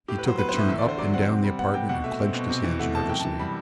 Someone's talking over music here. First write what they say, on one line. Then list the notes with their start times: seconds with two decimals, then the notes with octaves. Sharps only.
He took a turn up and down the apartment and clenched his hands nervously.
0.08 A2 G4
0.18 B4
0.24 F#3 C5
0.38 B3 B4
0.49 C5
0.53 A2
0.58 E5
0.68 E2 E5
0.78 D5
0.84 D3 C5
0.99 F#3 D5
1.14 C4 F#5
1.28 C3
1.43 G3
1.59 B3 F#5
1.74 C3 G5
1.89 B2 F#5
2.04 A3 E5
2.19 C4
2.34 B2
2.49 C3
2.64 E3
2.79 A3 F#5
2.95 C3 A5
3.09 F#2 G5
3.20 A5
3.25 E3
3.39 G3 B5